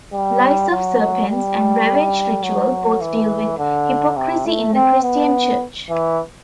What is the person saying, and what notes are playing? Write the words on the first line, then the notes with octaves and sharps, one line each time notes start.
"Lies of Serpents" and "Ravage Ritual" both deal with hypocrisy in the Christian church.
G3
F#3
G3
F#3
E3
D3
C3
A3
C4
B3
E3